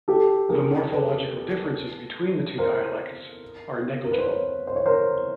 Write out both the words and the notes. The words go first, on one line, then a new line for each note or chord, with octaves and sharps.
The morphological differences between the two dialects are negligible.
G4 A4
G#4 A#4
A4 B4
A#4 C5
A#4
B4
C5
B4 C#5
C5
C#5
A#4 C5